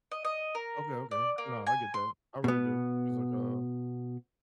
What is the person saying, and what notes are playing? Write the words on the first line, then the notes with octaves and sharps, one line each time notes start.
Okay, okay, no, I get that, I really do. It's, like, uh
D#5
D#5
A#4
D5
A#3
G#5
C6
B2 B3